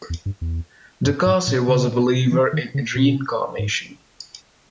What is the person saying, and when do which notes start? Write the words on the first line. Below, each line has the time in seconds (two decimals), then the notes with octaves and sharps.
Ducasse was a believer in reincarnation.
0.10 E2
0.26 G2
0.41 E2
1.05 G2
1.26 G#2
1.47 A#2
1.68 C#3
2.31 E3
2.53 D#3
2.74 C#3
2.95 B2
3.59 G#2